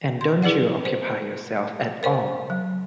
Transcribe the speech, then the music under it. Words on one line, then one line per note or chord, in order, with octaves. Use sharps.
And don't you occupy yourself at all?
C6
E4 G#4 B4 D5 F#5
C5
A#4 C5 C#5
F#3